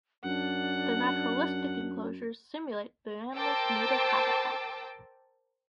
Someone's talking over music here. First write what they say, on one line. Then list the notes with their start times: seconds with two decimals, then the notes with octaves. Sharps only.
The naturalistic enclosures simulate the animals' native habitat.
0.24 F#2 D4 F#5
3.36 A#4 C5 G5 A5 D6 E6